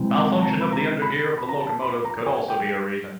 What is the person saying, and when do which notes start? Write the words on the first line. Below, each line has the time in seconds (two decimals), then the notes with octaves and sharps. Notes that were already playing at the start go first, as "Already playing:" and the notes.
Malfunction of the undergear of the locomotive could also be a reason.
Already playing: C3 E3 G#3 C4
0.13 D6
0.31 A5
0.43 A#5
0.61 B5
0.72 A#5
1.02 B5
1.38 B5
1.49 A#5
1.60 A5
1.82 B5
2.05 A#5
2.27 G#5
2.48 G5